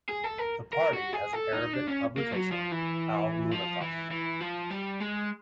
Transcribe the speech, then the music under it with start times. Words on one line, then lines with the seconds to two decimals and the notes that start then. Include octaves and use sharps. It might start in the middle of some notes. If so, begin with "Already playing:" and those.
The party has an Arabic publication, "Al Mounataf".
0.09 G#4
0.24 A4
0.39 A#4
0.73 A#4
0.94 F#4
1.13 G#4
1.33 A4
1.53 D#4
1.73 D4
1.88 C#4
2.17 A#3
2.32 F#3
2.52 F3
2.72 E3
3.52 F3
3.81 E3
4.11 E3
4.41 F3
4.70 G3
5.00 G#3